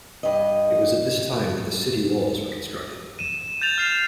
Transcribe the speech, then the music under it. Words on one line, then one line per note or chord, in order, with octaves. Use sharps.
It was at this time that the city walls were constructed.
G2 D#5
D#7 E7
G6 A6 F7
F6 C7 E7